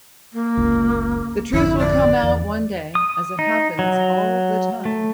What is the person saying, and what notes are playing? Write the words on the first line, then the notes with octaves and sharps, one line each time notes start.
The truth will come out one day as it happens all the time.
A#3
F#1 C#2
G#1 F2 D3 E4
D5
E2
D#6
D#4
F#3
A3